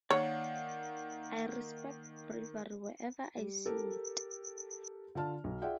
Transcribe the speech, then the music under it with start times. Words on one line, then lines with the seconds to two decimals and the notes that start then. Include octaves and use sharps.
I respect bravery wherever I see it.
0.10 D#3 A#3 C#5 D5 F5 F#5
3.37 G3
3.65 G4 A4 A#4
5.15 D3 F4 A5 F6
5.44 B1
5.62 F4 G#4 D5 E5 F#5 G5